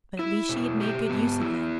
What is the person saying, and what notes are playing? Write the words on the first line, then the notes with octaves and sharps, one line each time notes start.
But at least she had made good use of them.
E4
B2
G4
B3
E4